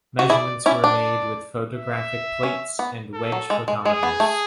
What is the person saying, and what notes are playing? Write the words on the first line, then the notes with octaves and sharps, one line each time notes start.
Measurements were made with photographic plates and wedge photometers.
F#4
E4 G#4 D5
C#4 E4 D5
D4
E5
C#4
B3
A4
F#3
G#3
G#3
G#3 G#4
B3
A3